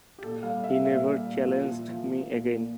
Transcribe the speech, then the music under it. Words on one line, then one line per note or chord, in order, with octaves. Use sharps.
He never challenged me again.
G4
A#2 A4
G3 F5
G3 E5
A#2 E5
G3
A#2
F3
A#2
F3
F3
A#2
A#2